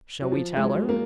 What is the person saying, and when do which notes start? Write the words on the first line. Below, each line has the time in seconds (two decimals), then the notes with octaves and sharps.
"Shall we tell her?"
0.22 F#3
0.32 F3
0.57 G#3
0.65 F#3
0.89 A#3